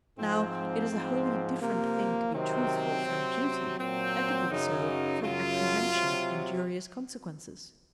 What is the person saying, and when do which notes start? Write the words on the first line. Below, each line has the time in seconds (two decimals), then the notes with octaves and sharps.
Now it is a wholly different thing to be truthful from duty and to be so from apprehension of injurious consequences.
0.17 G#2 F3 C4
0.90 G#2 F3
1.61 C3 F3 A#3
2.33 C3 D#3 F#3 C4
3.05 C3 F#3
3.77 A#2 F#3 C4
4.48 F#2 C#3 F#3 D#4
5.20 F#2 C#3 F#3 F4
5.92 C3 F#3